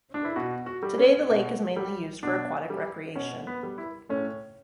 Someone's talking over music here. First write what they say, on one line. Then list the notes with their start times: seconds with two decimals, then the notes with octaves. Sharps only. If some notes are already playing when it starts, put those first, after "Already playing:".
Today the lake is mainly used for aquatic recreation.
0.14 D4
0.25 E4
0.36 B2 F#4
0.66 F#4
0.83 G3
0.98 C#4
1.30 B2
1.76 G3
2.23 B2 D4
2.70 G3
3.16 B2 C#4
3.47 B3
3.63 G3
3.78 E4
4.09 A2 C#4